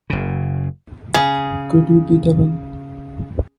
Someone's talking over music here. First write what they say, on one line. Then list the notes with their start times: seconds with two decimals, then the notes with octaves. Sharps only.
Could You Be the One?
0.10 F#1 C#3
1.14 C#3 G#4